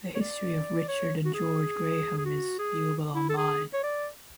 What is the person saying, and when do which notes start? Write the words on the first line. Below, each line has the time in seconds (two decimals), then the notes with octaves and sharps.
A history of Richard and George Graham is viewable online.
0.15 C#5
0.21 D5
0.88 C#5
1.25 F#4
1.34 G#4
2.18 G#4
2.25 F#4
2.59 G#4
3.15 E4
3.29 A4
3.38 G#4
3.74 C#5
3.84 D5